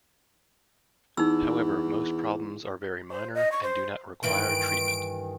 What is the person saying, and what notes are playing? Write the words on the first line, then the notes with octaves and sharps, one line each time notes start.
However, most problems are very minor and do not require treatment.
E2 D#4 E6
C5
D#5
C#6
C5
G2 D#3 E3 D7